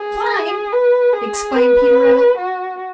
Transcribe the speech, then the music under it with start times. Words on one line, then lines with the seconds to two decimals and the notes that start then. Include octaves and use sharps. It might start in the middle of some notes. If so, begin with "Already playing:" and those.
"Climb!" exclaimed Peter Rabbit.
Already playing: G#4
0.72 B4
1.13 G#4
1.55 B4
2.37 F#4